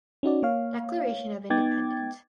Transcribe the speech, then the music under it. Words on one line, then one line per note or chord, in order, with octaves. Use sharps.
Declaration of Independence.
C#4 D#4 F#4 D5
A#3 C#5 F5
B3 D#4 G5 D6 G#6 A6